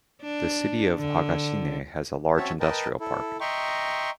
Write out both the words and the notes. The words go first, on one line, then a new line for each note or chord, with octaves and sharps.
The city of Higashine has a large industrial park.
D4
D3
C4 C#4 F#4 C#5 E5 A5
A#4 B4 D#5 G5 A5
E4 A4
D#5 E5 G5 A#5 C6 C#6